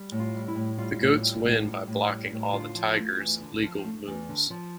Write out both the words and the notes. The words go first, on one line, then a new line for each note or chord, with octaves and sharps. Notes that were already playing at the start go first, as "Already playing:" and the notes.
The goats win by blocking all the tigers' legal moves.
Already playing: G3
A2
F4
G3
E4
A2
G3 F4
A2
G3
A2
G3
A2
G3
A2
D3 F4
F3
A3
E2
D3
F3
A3
E2
D3
F3